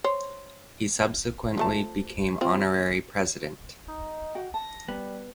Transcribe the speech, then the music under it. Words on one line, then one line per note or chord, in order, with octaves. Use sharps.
He subsequently became Honorary President.
C5 C#5
F3 A3 A5
C4 F4
D#4
F#4 F#5 G5
A5 A#6
G3 B3